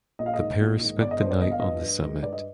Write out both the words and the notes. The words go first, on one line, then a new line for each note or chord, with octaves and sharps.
The pair spent the night on the summit.
A#1 D#5
F5
D#5
G#2 D#3
A#1
G#2 D#3
G1 D5
D#5
G2 F3 C5
D5
G1 D#5
F5
G2 F3 D#5
G2
D#3 G#3
G2 D5
D#5